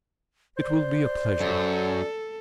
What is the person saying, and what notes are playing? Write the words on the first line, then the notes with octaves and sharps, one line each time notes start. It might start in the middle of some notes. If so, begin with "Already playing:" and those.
"It will be a pleasure."
C5 D5
F#2 A4